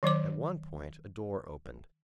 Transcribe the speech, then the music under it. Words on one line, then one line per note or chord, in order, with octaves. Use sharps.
At one point a door opened.
D#3 F#3 C5 D6